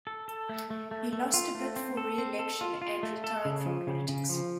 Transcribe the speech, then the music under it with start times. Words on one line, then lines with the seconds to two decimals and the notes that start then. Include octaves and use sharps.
He lost a bid for reelection and retired from politics.
0.07 A4
0.28 A4
0.49 A3
0.70 A3
0.91 A3
1.13 A3
1.34 F4
1.55 A3
1.76 C4
1.97 A4
2.18 C4
2.39 A4
2.61 F4
2.82 F4
3.03 A3
3.24 A4
3.45 C#3
3.66 F3
3.87 C#3
4.09 C#3
4.29 F3